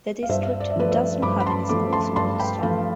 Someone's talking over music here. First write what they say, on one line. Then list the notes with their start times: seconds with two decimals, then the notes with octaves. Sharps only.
The district doesn't have any schools in Woodston.
0.23 F5
0.29 G2 C5 E5
0.60 D5
0.70 E5
0.76 F3 A3 B4 D5
0.92 C5 E5
1.22 G2 B5 D6
1.40 B5
1.46 A5 C6
1.69 F3 A3 B5 D6
1.93 A5 C6
2.16 G2 A5 C6
2.35 A5
2.39 G5 B5
2.63 F3 A3 F5 A5